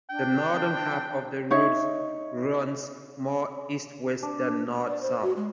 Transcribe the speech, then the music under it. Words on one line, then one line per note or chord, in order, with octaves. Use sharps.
The northern half of the route runs more east-west than north-south.
D4 G5
D#4 C#5 E5
D4
D5
C5
F#4
G#3